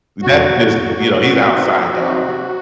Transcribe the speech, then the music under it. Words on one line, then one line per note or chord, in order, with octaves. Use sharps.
That's just you know, he's outside dog.
F2 F#4
C3 F#3
F2
C3 F#3
A#2 F#4
F#3 C4 D#4 F#4
A#2
F#3 C4 D#4
C3